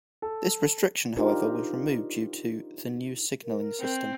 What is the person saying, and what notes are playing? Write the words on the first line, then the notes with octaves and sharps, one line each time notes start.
This restriction however, was removed due to the new signalling system.
A4
D4 D#4 F4 G4 A#4 C5
A#4
C4